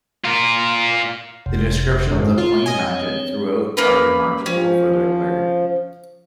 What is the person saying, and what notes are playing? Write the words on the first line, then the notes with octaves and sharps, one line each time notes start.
The descriptions of coin magic throughout are remarkable for their clarity.
F4 A#4
F#1 F2 C3
G#1 F#2 A2
C4 F4 C#5
D#5 G#5
A#3 C#4 B4
F3 C#4